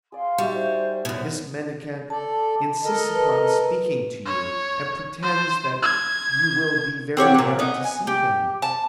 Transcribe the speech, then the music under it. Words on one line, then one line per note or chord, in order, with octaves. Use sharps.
"This mendicant insists upon speaking to you, and pretends that you will be very glad to see him."
G#4 D5 F5 C6
G3 D#4 F#4 E5
C5
F#2 B2 C5
A4 D5 A5
A4 A#4 D#5
B4
C#5
C5
G#6
C4 G4 C#5 F#5
A#2 F#3
B3 D#4
G#5
G4
A5